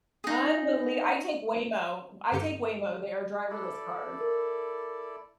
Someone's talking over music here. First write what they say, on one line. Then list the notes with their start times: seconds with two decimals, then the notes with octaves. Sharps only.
Unbeli I take Waymo. I take Waymo. They are driverless cars.
0.24 D#4 G#4
2.32 G2 D3 G4 G6 C#7
3.51 E4 A4 D5
4.21 A#4